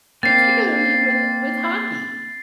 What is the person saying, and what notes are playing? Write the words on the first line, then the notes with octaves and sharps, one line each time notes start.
Particularly with with hockey.
A#3 C4 A6 C7